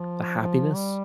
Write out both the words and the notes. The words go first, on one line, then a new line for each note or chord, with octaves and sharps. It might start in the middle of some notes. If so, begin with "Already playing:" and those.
the happiness,
Already playing: F3
F3
G3